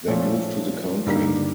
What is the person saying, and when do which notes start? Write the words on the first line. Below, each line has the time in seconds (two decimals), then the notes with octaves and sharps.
They move to the country.
0.07 A#2 F3 A3 C#4
1.06 G2 D3 G3 A#3 D#4